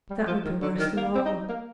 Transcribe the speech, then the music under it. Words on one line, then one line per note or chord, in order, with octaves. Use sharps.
That would be worse than all.
G3
F3
D#3
D3
D#3
A#3
C4
D#4
A#3